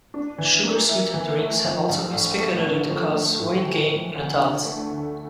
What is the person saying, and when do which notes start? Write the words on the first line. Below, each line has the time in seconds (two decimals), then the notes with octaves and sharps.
Sugar-sweetened drinks have also been speculated to cause weight gain in adults.
0.14 D4
0.38 E3
0.63 A#3
0.89 E4
1.14 E3
1.38 A3
1.64 F3
1.89 A#1
2.14 A2
2.40 A3
2.65 D3
2.89 F3
3.15 A3
3.40 A2
3.64 E3
3.90 F3
4.15 D2
4.40 D3
4.65 A3
4.91 D2